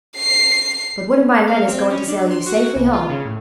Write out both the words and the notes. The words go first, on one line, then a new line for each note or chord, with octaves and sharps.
But one of my men is going to sail you safely home.
C7
E7
F5
C4
C#4
D4
C6
F#4
C2
F4
C#3
A2